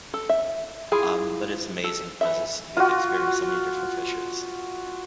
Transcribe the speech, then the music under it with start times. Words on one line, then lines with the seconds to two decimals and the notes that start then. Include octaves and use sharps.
um, but it's amazing 'cause it's you get to experience so many different fishes.
0.14 A4
0.29 E5
0.92 E4 F4 G#4
1.84 A4
2.21 E3 A4 E5
2.77 F4 F#4